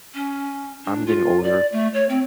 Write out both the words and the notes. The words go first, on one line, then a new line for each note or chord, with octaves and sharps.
I'm getting older,
C#4
D4
F4
D5
A3
C#5
C4